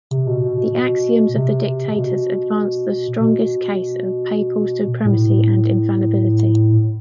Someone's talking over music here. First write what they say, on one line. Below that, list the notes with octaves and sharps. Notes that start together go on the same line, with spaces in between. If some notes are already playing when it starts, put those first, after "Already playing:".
The axioms of the "Dictatus" advance the strongest case of papal supremacy and infallibility.
C3
B2
B2
B2
B2
C3
C3
B2
B2
A2